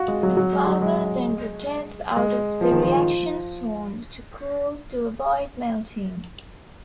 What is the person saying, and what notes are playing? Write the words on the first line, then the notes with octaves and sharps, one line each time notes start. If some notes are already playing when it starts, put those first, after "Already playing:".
The fibre then rotates out of the reaction zone, to cool, to avoid melting.
Already playing: F4 F#4
G#3
F#3
F#3
G#3
F#3
G#3
G#3
F3
D#3
F3
F3